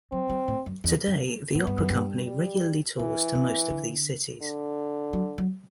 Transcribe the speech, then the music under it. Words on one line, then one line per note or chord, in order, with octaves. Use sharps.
Today, the Opera Company regularly tours to most of these cities.
F#3 C4
G3
A2
F#2
E2
F#2
A2 B3
G2
F#2
G2
G3
B2 E3
C3
D3
D3
F#3
F#3